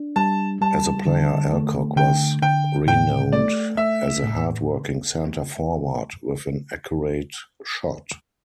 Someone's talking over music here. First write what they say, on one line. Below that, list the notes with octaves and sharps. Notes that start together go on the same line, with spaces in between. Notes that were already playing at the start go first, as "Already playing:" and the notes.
As a player, Alcock was renowned as a hard-working centre-forward with an accurate shot.
Already playing: D4
G3 A5
G3 A5
D3
A3
D3 G5
D3 G5
A2 G5
A3 D5
A3 E5
A2